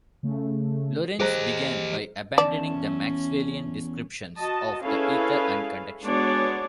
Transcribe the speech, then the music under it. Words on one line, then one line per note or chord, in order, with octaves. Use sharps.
Lorentz began by abandoning the Maxwellian descriptions of the ether and conduction.
C#3 A3
G4 G#4 C5 D#5 A#5
E2 C#4 D5 A5
F#4 D#5 A5
C#4 E4 G#4 A4 B4 F5
G#3 B3 D4 F#4 C#5 D5